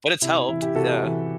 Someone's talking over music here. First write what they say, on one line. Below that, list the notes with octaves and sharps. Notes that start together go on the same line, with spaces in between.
But it's helped, yeah.
C3 E4
E4
E3 E4
E4 G4
C3 F#4 A4
E3